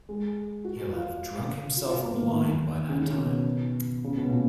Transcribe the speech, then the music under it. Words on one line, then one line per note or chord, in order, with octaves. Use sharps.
He'll have drunk himself blind by that time.
G#3
F#4
F4
F#4
F4
B3
A#3
D#3
D#3
D#3
C#3
D#3
C#3
B2
C#3
B2
A#2